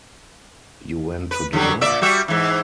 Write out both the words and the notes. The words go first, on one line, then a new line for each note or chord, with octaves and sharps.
You went to dinner?
B4
D3 F#3 G3
A#2 D5 E5
G3 F#4 E5
G#2 E3